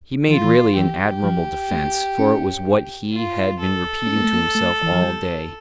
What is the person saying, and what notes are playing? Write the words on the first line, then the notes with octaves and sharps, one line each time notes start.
He made really an admirable defence, for it was what he had been repeating to himself all day.
E3 F4
E3
E3 G4
F3
A3
C#4
F4
A4
C#4
A#3
A3
A#3
A3
E3
F3
G3